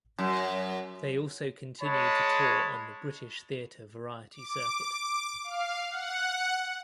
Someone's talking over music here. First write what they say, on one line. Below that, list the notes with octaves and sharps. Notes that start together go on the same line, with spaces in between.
They also continued to tour on the British theatre variety circuit.
F#2
G#3 C#5 A5 B5
D6
F5
F#5